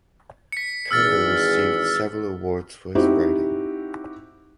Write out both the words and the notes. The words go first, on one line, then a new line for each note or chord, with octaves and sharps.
Carter received several awards for his writing.
B6 C#7
G#1 E2 E6 F6 A6
C4 D#4 E4 F#4 G4